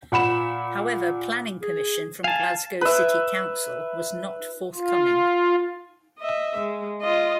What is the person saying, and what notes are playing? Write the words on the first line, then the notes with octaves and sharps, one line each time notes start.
However, planning permission from Glasgow City Council was not forthcoming.
A#2 F#5 B5 E7
G#4
F5 G#5 A5
B4 E5
F4
D#5 E5
G#3
F4 D#5